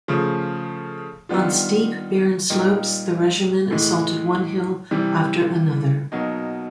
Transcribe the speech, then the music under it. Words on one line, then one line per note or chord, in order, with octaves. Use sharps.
On steep, barren slopes, the regiment assaulted one hill after another.
C#3 F3 A3
D#3 G3 B3 D4 F4
A#2 G3 A#3 D#4
A2 E3 G#3
C3 E3 G3
B2 F#3 A#3 D#4